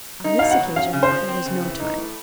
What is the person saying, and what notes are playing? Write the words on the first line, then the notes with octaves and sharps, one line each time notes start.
On this occasion there was no time.
D#4
B2 F5
F#5
F#3
C#4 F5
C#3
C5
F3
C4
C#3
E3
D#4
A2